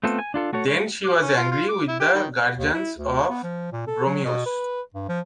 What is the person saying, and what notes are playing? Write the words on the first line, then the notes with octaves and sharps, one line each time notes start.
Then she was angry with the guardians of Bromios.
A3 B3 C4 F4 A4
G#5
D4 F4 A4
A3 F#4 A4 C#5
G#3 C#5
D6
C#4
F4
F4
D6
E4
G4
D#3
D#2
E4
D2
B3
F3
A#2
A4
F#3
B2
B4
G2
F3